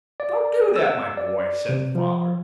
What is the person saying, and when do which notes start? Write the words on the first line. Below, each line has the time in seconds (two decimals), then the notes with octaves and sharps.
"Don't do that, my boy," said the father.
0.20 D5
0.76 E6
1.17 D5
1.69 C3
1.95 F3